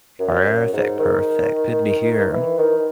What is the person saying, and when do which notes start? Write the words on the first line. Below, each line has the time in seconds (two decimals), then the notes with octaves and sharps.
Perfect, perfect, good to hear.
0.19 F#2
0.73 G#2
0.99 D#3
2.32 E3
2.59 D#3